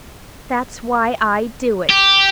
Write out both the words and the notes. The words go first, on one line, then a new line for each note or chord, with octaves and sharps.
"That's why I do it."
G4